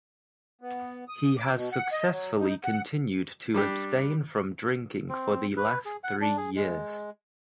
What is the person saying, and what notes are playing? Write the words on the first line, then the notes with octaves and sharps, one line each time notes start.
He has successfully continued to abstain from drinking for the last three years.
B3
D#6
D6
B2
F#5
D#5
F#3
D#4
F#5
G3 D4 G4
C4
B4
G#4
F#5
D4
G#4
G#3